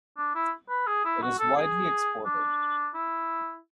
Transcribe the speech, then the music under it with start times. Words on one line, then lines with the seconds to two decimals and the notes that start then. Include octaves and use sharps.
It is widely exported.
0.17 D4
0.35 E4
0.69 B4
0.87 G#4
1.05 E4
1.22 F#4
1.39 A4
1.57 G#4
2.26 D4
2.95 E4